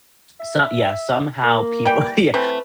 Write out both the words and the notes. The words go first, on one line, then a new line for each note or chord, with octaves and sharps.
So Yeah, somehow people yeah
E5
A#3
E3 G3 G5
E3 A3 C4 B4